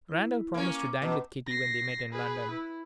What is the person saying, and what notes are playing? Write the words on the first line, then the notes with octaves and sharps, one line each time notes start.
Randal promised to dine with Kitty when they met in London.
E4 B4
A#3 C#4
D6
B2 C#4 A#5 D6
A#6 C7
G#4 B4
E4